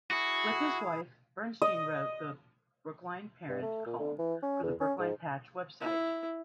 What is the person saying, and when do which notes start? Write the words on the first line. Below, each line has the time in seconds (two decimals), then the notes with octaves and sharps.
With his wife, Burstein wrote the "Brookline Parent" column for the Brookline Patch website.
0.11 E4 F#4 G#4
1.62 D#5
3.49 G2
3.62 A3
3.86 A#2
3.99 D3
4.18 E3
4.43 C#4
4.63 E2
4.80 C#4
4.99 G#2
5.80 E4